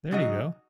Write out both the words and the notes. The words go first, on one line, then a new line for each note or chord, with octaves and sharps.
There you go.
C#3 F#3 D#4 F#4 D#5